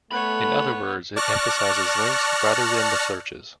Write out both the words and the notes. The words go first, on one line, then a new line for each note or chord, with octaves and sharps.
In other words, it emphasizes links rather than the searches.
A3 B3 A4 C#5 B5
D5 A5 C#6 F6 F#6 A#6